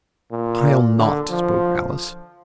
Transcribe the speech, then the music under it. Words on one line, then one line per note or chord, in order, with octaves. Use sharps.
"I'll not," spoke Alice.
A#2
D3
F3